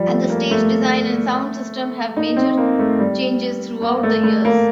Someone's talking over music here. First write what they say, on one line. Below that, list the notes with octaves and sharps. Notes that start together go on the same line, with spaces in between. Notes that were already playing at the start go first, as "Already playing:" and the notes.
And the stage design and sound system have major changes throughout the years.
Already playing: F3 G3
A3
A#3
A3
D#4
C4
A#3
A3
G3
A#3
A3
A3
A#3